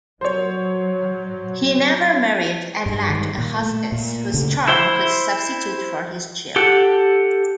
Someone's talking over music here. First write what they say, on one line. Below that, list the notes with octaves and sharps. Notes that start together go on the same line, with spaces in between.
He never married and lacked a hostess whose charm could substitute for his chill.
F#3 C5 C#5
G2
D#3 G3 G#3
A#2
A3
A#2
D2 C#3 A3
E4 C5 E5 C6
G4 A4 F#5